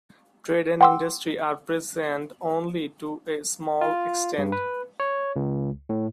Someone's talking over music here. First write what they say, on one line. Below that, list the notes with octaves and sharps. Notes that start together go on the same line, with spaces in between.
Trade and industry are present only to a small extent.
F#5 G5 C6 D6 E6
F4
G2
B4
C#5
C#2
A2